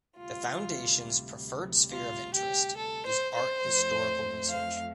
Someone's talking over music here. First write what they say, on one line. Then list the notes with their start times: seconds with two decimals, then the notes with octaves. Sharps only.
The Foundation's preferred sphere of interest is art historical research.
0.18 D2 C3 G3 F4
1.91 F4
2.34 G4
2.76 A4
3.06 C5
3.34 C5
3.63 F2 F3 A3
4.49 F5